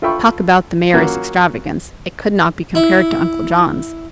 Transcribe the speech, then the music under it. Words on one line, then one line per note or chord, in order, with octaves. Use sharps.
Talk about the Major's extravagance: it could not be compared to Uncle John's.
F4 A4 E5 G5 B5 C#6
F#3 A#3 C#4 F4 F#4
E4